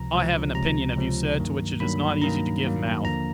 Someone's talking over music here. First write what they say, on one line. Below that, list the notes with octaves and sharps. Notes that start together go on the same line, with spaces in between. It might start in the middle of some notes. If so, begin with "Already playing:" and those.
I have an opinion of you, sir, to which it is not easy to give mouth.
Already playing: C#2 C3 F3 A#5
C#2 C3 F3
C#2 C3 F3 A#5
C#2 C3 F3
G2 D#3 F#3 A#3
G2 D#3 F#3 A#3 B5
G2 D#3 F#3 A#3 A#5
G2 D#3 F#3 A#3
D#2 D3 F3 A#3 D4 A#5